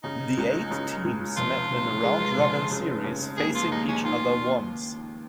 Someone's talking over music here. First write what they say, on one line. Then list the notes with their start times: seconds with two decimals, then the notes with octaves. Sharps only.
The eight teams met in a round-robin series, facing each other once.
0.03 C#3 D#4
0.37 C#2
0.71 C#3
1.04 C#2
1.37 F1 F4
1.71 F1
2.04 G#3
2.37 F1
2.71 C#3
3.04 C#3
3.37 D#2 G#4
3.55 F4
3.70 D#2 D#4
3.88 C#4
4.04 D#3 F4